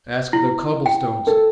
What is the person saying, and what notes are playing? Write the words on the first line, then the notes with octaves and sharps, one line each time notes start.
Ask the cobble stones.
E4
G5
A4